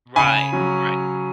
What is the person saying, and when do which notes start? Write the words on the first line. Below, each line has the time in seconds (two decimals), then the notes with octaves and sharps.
Right. Right.
0.16 C#3 G#5 B5
0.52 F#3 C#4